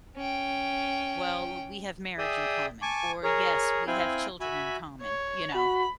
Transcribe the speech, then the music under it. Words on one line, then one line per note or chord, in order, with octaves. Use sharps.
"Well, we have marriage in common," or "Yes, we have children in common," you know,
C#4 G5
G#4 D5 E5 G5 D#6
G#5 A5 C#6 D6
G#4 A#4 C#5
C4 E4 F5 G5 G#5
F#4 E5 G#5 B5
C#5
F#4 B5